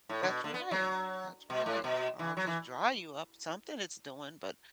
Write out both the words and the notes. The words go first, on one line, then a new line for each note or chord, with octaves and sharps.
That's right. That's right. Or, "I'll just dry you up." Something it's doing, but
A2
D3
B2
D3
B3
F#3
B2
A2
B2
E3
F#3
E3